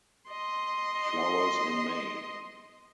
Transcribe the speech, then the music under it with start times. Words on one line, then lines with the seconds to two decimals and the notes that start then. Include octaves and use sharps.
Flowers in May.
0.30 D#5 C6